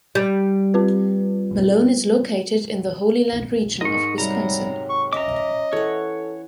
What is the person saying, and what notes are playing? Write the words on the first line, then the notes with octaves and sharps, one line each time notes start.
Malone is located in The Holyland region of Wisconsin.
G3
C4 F4 B4
G#2 A#4 D#5 C#6
C3 F#3 G3 C4 A#5
C#6
C#4 D#5 E5 A#5 D6
E3 A4 C#5 F#5